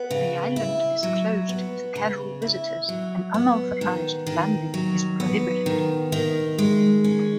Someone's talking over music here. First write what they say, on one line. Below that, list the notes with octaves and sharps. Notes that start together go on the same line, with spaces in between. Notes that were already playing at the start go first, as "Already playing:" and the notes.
The island is closed to casual visitors and unauthorised landing is prohibited.
Already playing: B3
C#3
E4
F#3
B3
C#3
E4
F#3
B3
D#3
D#3
F#3
B3
D#3
D#3
G#3
C#4